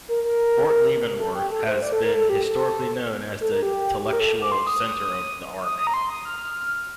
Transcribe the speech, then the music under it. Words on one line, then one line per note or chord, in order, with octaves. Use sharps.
Fort Leavenworth has been historically known as the Intellectual Center of the Army.
A#4
A#4
A4
G4
A4
C5
D5
A4
A#4
A4
G4
A4
A4
A#4
G4
G4
A#4
A4
D6
C6
D#6
D#6
D#6
A#5
C6
D#6
F6